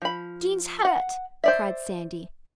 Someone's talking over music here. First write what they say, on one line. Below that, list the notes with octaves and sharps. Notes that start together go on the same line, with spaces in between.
"Jean's hurt," cried Sandy.
F3 B5
F#5
C5 D5 E5